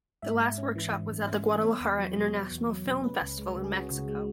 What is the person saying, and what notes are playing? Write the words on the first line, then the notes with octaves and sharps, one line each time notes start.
The last workshop was at the Guadalajara International Film Festival in Mexico.
G#2 E5
G#2
C#4
E3
G#2
G#2
C#4 E5
E3
B3 C#5
E2
F#3
B2
B3
E2
F#3
B2
C#4 B4
C#2
G#3
C#3
G#4
C#4 F#4
C#2
G#3